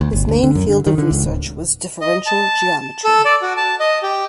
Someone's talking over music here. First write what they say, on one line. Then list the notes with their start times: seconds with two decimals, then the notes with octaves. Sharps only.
His main field of research was differential geometry.
0.01 D2
0.13 G1
0.28 D2
0.43 D3
0.55 F#2
0.69 D3
0.87 D#3
0.98 D3
1.11 C#2
1.24 D1
2.01 D#5
2.26 A5
3.04 A4
3.25 D5
3.42 F#4
3.57 A5
3.80 D#5
4.03 G4